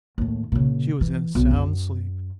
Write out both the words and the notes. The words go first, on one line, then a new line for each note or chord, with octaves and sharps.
She was in a sound sleep.
D#2 A2
A#2 C#3
E3
B1
F#2